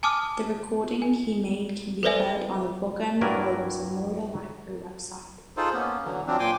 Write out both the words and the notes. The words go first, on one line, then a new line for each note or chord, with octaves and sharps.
The recording he made can be heard on the Vaughan Williams Memorial Library website.
G#5 A5 D6 D#6 F6
G#5
A4 B4 C5 D5 E5 G#5
G2 F#3 E4 A#4 D5 G#5
D#4 F4 G#4 A4 C5
A#3 B3 C#4
D3 E3 F#3
F3 F#3 C4 D4
A#2 G5 G#5 C6 D6